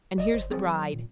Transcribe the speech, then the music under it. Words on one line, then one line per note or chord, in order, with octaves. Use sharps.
And here's the Bride!
F1 D5 D#5
G1 C5
F#3 C4 G#4 C5
F#3
A#2